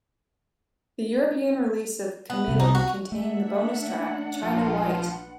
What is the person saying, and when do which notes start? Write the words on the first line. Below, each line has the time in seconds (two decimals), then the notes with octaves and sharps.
The European release of "Committed" contained the bonus track "China White".
2.30 B3
2.48 C2 C3
2.60 D#4
2.75 F#4
3.12 A3 A#3 D4 E5 F#5
4.43 A#1 F3 B4 C6